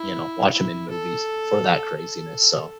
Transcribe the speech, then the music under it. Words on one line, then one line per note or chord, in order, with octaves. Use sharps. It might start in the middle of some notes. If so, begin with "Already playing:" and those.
you know, watch him in movies for that craziness, so
Already playing: E4
E4
A4
A4